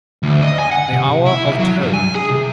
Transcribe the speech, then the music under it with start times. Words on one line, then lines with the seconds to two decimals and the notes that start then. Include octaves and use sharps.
The hour of Toad!
0.23 D2
0.42 D#5
0.60 G#5
0.71 F#5
0.93 C3
1.26 E4
1.44 B1
1.59 F#3
1.81 G2
1.93 G#5
2.15 G#4
2.30 C3